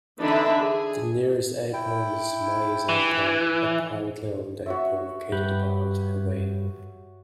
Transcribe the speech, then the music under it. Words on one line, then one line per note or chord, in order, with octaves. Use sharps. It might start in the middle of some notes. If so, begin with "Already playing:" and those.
The nearest airport is Mayes Airport, a privately-owned airport located about away.
D3 E3 D4 D#4 E5 B5
G#4
E4 G5
E3
F#4 C#5 E5
G2 G4 B4